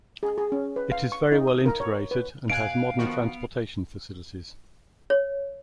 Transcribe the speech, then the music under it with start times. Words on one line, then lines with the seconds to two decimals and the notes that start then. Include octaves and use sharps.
It is very well integrated and has modern transportation facilities.
0.23 G#4
0.38 G#4
0.52 C#4
0.76 B4
0.92 F5
1.12 C#6
1.32 D#4
1.47 D#6
1.66 A#4
1.80 C#5
2.11 B4
2.50 B2 F5 G#5 F#6 D7
2.99 D#3 F3 B3 F#4
5.10 C#5